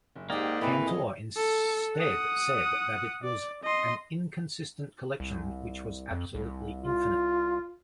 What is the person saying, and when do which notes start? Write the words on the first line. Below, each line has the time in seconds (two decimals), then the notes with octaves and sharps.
Cantor instead said that it was an "inconsistent" collection which was absolutely infinite.
0.16 F#1
0.30 G#2 A#3 G4 D5 D#5 G5
0.61 A2 E3 C4
0.86 F#3 F4 G#4 D#5
1.36 A4
1.97 F#5 D#6
3.24 D5
3.64 D#5 C6
5.20 C2
6.11 F2
6.35 C2
6.81 F4